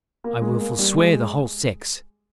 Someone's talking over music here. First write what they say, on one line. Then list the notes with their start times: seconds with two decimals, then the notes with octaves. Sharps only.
I will forswear the whole sex.
0.24 A#3
0.42 G#3
0.61 A#3
0.79 G3
0.98 G#3